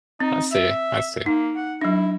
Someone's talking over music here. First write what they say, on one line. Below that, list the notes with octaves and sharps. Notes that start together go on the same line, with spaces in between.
I see, I see.
C4 D#4
E5
A#3 D#4
F#5
F#3 D4 E4